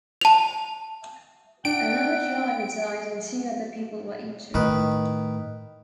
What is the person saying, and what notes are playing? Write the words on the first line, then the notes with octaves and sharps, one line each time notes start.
Another driver died and two other people were injured.
A5 F7
D4 D#4 E5 F#5 G5 D7
A2 D#3 B4